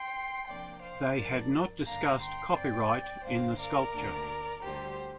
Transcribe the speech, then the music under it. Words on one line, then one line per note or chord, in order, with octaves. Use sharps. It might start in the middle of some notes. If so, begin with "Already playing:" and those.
They had not discussed copyright in the sculpture.
Already playing: G5 C6
C3 F3 A#3 D4 D5 G5
C5 F5
G2 F3 D4 A#4 D5
G2 D3 A#3 D4 F5 A#5
G5 C6
G2 G3 C4 D5 G5
G2 D3 G3 A#3 D4 C5 F5
A#4 D5
D2 D3 A#3 D4
D2 D3 G3 G4 C5